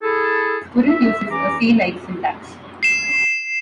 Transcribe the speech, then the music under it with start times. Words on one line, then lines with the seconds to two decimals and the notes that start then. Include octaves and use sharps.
Squirrel uses a C-like syntax.
0.02 E4 G#4 A4
0.88 E5
1.30 E3 C#4 A#5 D6
2.83 C7 E7